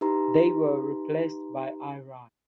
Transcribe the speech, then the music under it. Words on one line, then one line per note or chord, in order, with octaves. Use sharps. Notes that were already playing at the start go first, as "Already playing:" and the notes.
They were replaced by Iran.
D#4 E4 G4 B4 A#5 C6